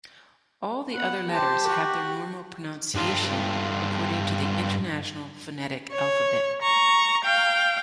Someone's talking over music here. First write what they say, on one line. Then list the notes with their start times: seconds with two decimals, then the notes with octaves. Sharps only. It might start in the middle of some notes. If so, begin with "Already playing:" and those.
All the other letters have their normal pronunciation according to the International Phonetic Alphabet.
0.95 B3 F#5
1.30 G4 C5 A5
1.67 F#4
2.95 G2 F4
5.93 C#5
6.62 A#5 C#6
7.25 F5 G5